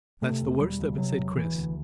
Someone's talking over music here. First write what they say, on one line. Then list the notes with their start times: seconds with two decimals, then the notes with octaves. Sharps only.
"That's the worst of it," said Chris.
0.22 C3 A3
0.41 E1
0.60 E1 G3
0.79 D2
0.98 C3 F#3
1.18 E1
1.36 E1 E3
1.55 D2